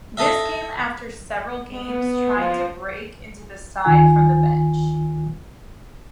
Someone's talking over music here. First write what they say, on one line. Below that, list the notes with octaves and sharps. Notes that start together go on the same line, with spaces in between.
This came after several games trying to break into the side from the bench.
A4 D#5 E5
B3
F3
D2 D#3 F4 G#5